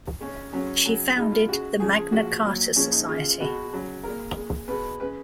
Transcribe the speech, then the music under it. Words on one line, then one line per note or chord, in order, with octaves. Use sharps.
She founded the Magna Carta Society.
C#3 G#3 C#4
C#3 F#3 C#4
C#3 F#3
B2 G#3 D#4
F4
C#3 G#3 F#4
C#3 F3 G#3 G#4
G#4
A#2 F3 G#3 F#4
A#2 F#3
A#2 F3 G#3 C#4
D#4
C#3 G#3 F4
B2 G#3 F#4
C#3 F#3
A#2 G#3 A#4
A#2 G#3
B2 G#3 B4
C#3 G#3 B4